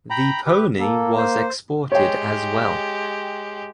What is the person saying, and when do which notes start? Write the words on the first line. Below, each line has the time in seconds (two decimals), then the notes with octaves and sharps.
The Pony was exported as well.
0.10 G5 A#5 B5
0.46 G4 B4
0.80 A#3 A4
1.17 C5
1.92 G#3 G4 C#5 G5